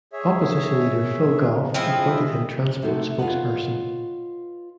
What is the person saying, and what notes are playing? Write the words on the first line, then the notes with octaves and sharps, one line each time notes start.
Opposition Leader Phil Goff appointed him Transport Spokesperson.
G#4 C#5 E5
F3 C4 E4 G#4 D#5 E5
C3 A3 D#4 F#4 A4
F4 B4 C#5 D#5 F#5